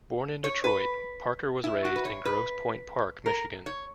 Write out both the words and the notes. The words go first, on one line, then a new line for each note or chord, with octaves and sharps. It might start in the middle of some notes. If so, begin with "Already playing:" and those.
Born in Detroit, Parker was raised in Grosse Pointe Park, Michigan.
C#5
B4
E4
F#4
B4
C#5
B4
A#4
C#5